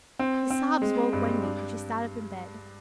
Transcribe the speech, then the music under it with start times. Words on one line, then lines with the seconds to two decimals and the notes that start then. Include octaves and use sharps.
His sobs woke Wendy, and she sat up in bed.
0.19 C4
0.50 C4
0.82 G#3
1.13 G2
1.43 D4